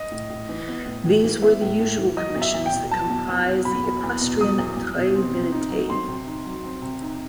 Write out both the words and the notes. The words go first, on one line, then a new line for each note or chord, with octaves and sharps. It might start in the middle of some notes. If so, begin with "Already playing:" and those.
These were the usual commissions that comprise the equestrian "tres militiae".
Already playing: D#5
A2
A2
E3
B3
A2
A2
E3
B3 E5
A2
A2
E3
F#3 D#5
E2
E5
E2
G5
B2
F#3 A5
E2
E2
B2
F#3 B5
E2
E2
B2
F#3 D#6
E2
E2
B2
C4
C3
D#4
F#3
C4 C6
C3
D#4
F#3
C4
C3
D#4